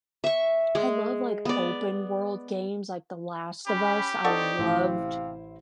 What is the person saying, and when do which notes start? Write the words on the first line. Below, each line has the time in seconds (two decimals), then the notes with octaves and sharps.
I love, like, open-world games, like, The Last of Us, I loved
0.24 E5 C#6
0.75 G#3
1.45 B3 D5
3.67 C#4 G4 B5
4.24 C4 D#4 A4 D5 F#5 C#6
4.58 A1 C3 E4 C5 F5